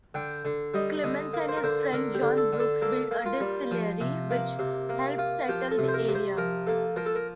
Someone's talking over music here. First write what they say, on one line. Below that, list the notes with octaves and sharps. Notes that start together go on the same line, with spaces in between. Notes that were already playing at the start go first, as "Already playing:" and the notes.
Clemens and his friend, John Brooks, built a distillery, which helped settle the area.
D3 G5
D3
G3 D#5
D3 D#5
A#3
C5
A#4
D3 C5
D3 A#4
G4
D3
A4
D3
A4
A#3 A4
A#3
F4
G3
F3
C3
A#3
C3
A#3
F4
F3 G4
A4
C3
C5
A#4
C3
C5
F3 A#4
A#3 A4
F3 A#4
A4
A#4